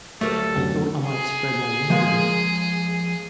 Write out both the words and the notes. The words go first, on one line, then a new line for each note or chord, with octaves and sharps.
I thought I might spread my wings a bit.
D2 F#3 G3 A3 A#3 A4
F#2 D3 F#3
G#4
F3 G#3 A#3